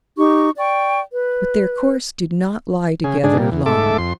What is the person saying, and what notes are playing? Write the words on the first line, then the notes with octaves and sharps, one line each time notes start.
But their course did not lie together long.
D#4 G4 C#6
D5 G5 C#6
B4
C#3 G#4
G#2 D3 D4 G#4
A#2 G3
E2
G#2 A3 A4 E5 D6
F2 C6